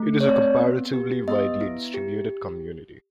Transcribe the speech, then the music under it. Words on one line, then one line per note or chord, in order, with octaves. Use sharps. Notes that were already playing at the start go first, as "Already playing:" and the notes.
It is a comparatively widely distributed community.
Already playing: A3
C#5
C4 D5
B3
G4
B3 D#5
E4
G4